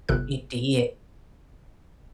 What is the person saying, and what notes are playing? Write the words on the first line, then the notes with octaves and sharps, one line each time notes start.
It did.
G1 C3 A4 F#6